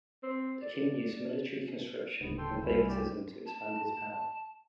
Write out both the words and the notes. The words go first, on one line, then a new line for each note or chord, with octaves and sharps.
The king used military conscription and favoritism to expand his power.
C4
D5
D1 C#3 B3
A4 G5 C6
C2 G2 C#4 E4
A#2 G4 D5
A5